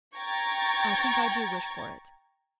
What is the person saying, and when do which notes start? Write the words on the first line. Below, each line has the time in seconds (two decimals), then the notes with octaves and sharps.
"I think I do wish for it."
0.15 G5 A#5 C#6 G#6 A6